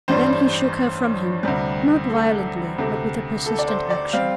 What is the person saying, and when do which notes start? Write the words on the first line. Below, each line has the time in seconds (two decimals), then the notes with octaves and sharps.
Then he shook her from him, not violently, but with a persistent action.
0.08 A1 G2 G3 D4 C5
1.43 D2 C3 G3
2.10 A4
2.78 D2 C3 A3
3.46 A4
3.59 D5
3.68 C5
3.90 D5
4.13 G3 C4 F5